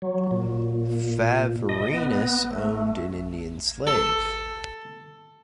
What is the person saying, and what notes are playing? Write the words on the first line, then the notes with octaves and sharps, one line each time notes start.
Favorinus owned an Indian slave.
F#3
A#2
D#5
B3
A3
A4